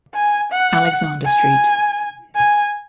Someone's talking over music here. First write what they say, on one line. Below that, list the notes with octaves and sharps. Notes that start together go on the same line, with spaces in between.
Alexander St.
G#5
F#5
G#5
G#5